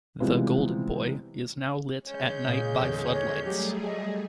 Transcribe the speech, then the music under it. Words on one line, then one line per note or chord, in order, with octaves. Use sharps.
The Golden Boy is now lit at night by floodlights.
C3 E3 F3 G3 G#3 B3
G#3 C#4 G6
A#2 C#3 G#4
E2 D3
C#5
F#3 G3 A3 G4 G#4
D#5